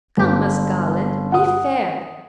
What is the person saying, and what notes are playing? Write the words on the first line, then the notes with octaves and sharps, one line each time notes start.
Come, Miss Garland, be fair.
G1
F#5 D#6